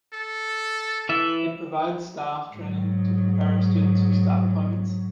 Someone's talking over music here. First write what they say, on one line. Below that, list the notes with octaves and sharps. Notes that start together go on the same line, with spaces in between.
It provides staff training to prepare students for staff appointments.
A4
E3 E5
G#2 F#3